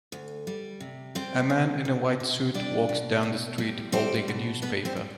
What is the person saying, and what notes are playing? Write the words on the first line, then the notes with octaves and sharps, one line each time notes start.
A man in a white suit walks down the street holding a newspaper.
D2
G3
C3
G3 C4 C5
C3
B2
B2
G3 D4 D5
B2
B2
G3
G3 C4 C5
B2
G3 B3 B4
C4 C5
G3